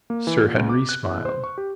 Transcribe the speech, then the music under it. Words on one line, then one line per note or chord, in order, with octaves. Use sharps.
Sir Henry smiled.
A#3
E3
A#2
C#2
D6
F#6
E2
C5
C#6
G4